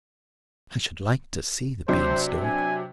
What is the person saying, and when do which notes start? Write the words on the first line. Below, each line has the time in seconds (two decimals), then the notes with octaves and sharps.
"I should like to see the bean-stalk."
1.88 C3 F#3 D4 C5
2.44 G#5